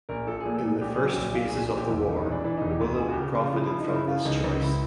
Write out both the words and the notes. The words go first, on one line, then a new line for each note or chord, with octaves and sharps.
In the first phases of the war Willem profited from this choice.
A#1 A#4
F3 A4
G#4
A#2
A4
A#2
G#4
A#1 G4
F#3 G#4
G4
A#1
A#1 F4
A#1 G#4
A#1
G4
E1 G#4
E1
D#4
E3 D4
E3 D4
E1 D#4
G4
D2
F3 G#4
F#4
G4
C#3
C#3 F4
F3 E4
E4
F3
D#4
C#3 E4
F3 F4
C#2 D#4
C#2 D#4
C#2 E4